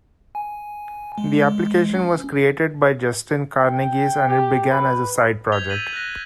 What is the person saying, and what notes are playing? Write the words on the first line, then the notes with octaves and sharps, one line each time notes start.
The application was created by Justin Karneges and it began as a side project.
G#5
G#3
C#4
G5
G4
B4
G6 G#6 B6 F7 G7
E6 G6 A6 B6 D#7 F#7
F#6 A#6